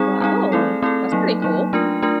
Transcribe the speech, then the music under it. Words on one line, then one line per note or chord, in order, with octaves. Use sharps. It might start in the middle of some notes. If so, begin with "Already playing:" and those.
Wow, that's pretty cool.
Already playing: G3 C4 D#4 G#4
G3 C4 D#4 G#4
A3 C4 E4 A4
A3 C4 E4 A4
F#3 A#3 D#4
F#3 A#3 D#4
A3 D4 F4 A#4
A3 D4 F4 A#4